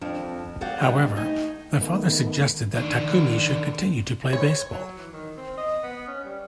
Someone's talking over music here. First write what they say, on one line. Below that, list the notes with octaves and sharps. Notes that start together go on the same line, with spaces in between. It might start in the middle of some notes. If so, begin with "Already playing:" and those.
However, the father suggested that Takumi should continue to play baseball.
F2 C4 D4
F#4 C#5 D5 F5 G5
B2 G3 D4
A3 D#4 D#5 G5 G#5
D#3 A3 B3
D#3 D4
C#5
F#3
E3
D#3
C4
D#5
B3
C#4
G3